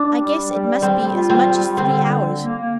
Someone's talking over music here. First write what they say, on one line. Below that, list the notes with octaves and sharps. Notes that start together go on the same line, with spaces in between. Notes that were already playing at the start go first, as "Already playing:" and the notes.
I guess it must be as much as three hours.
Already playing: D4
G3
G3
G3 C4
F4
C4
G3
D3 C4
D3
A#3